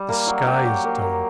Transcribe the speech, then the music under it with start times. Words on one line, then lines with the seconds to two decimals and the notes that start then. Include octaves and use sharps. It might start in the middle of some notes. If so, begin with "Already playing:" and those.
The sky is dull.
Already playing: G3
0.09 A#3
0.27 F#3
0.46 G4
0.65 F#3
0.84 A#3
1.02 A#3